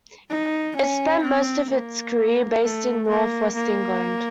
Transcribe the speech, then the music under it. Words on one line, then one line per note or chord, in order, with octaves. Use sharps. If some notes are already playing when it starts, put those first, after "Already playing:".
It spent most of its career based in North-West England.
D#4
C#4
C4
A#3
A3
A#3
A#3